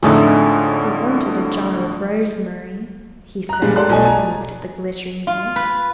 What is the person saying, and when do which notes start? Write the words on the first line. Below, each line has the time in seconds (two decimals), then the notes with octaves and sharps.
"She wanted a jar of rosemary," he said as he looked at the glittering heap.
0.03 F2 A2 D3 G#3 A3 D#4
3.49 A#5 F#6
3.62 A#2 F3 G3 G#3
3.76 G4 A4 D5 A5 C6 F#6
3.89 B1 F3 A3 A4 D#5 G#5
4.03 D5 G#5 A#5
5.27 F4
5.56 B4